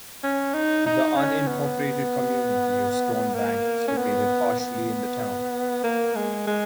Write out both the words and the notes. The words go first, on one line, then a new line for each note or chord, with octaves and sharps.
The unincorporated community of Stone Bank is located partially in the town.
C#4
D#4
D#4
C#4
B3
A#3
C#4
B3
B3
A#3
G#3
G#3